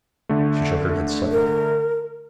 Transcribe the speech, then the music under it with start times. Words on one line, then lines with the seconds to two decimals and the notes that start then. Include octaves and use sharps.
She shook her head slightly.
0.29 D3 A3
1.32 A#4